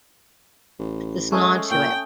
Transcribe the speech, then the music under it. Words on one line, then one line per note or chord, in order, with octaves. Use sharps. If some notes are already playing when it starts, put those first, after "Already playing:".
this nod to it.
A1
G#3 A3 C#4 D#6
A#2 G5